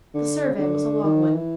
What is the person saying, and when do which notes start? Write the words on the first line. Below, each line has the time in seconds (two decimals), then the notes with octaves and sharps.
The survey was a long one.
0.14 D3
0.50 C#3
0.59 D3
1.04 D#3
1.34 E3